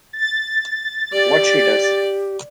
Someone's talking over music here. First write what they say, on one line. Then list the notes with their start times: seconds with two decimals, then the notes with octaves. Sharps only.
What she does !
0.13 A6
1.13 G4 D5